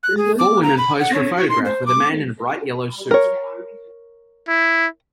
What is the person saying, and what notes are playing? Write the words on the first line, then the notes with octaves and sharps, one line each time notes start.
Four women pose for a photograph with a man in a bright yellow suit.
F#6
G#4
D6
A#5
B5
F#5
C#5
F#4
C6
C5
D6
A#4 C#5
E4